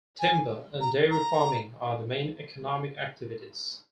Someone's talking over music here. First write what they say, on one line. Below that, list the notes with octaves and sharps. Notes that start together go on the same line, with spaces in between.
Timber and dairy farming are the main economic activities.
G#5
A#5
A#5